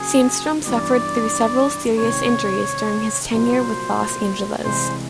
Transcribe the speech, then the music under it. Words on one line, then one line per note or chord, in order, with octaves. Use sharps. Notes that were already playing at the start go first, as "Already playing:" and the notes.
Sandstrom suffered through several serious injuries during his tenure with Los Angeles.
Already playing: C#3 F#3 A#3 G#4
G2 E3 G3 B3 D5
C3 D#3 G#3 C4 C#5
C2 A#2 F#3 A#3 C5
C2 C3 E3 G#3 C5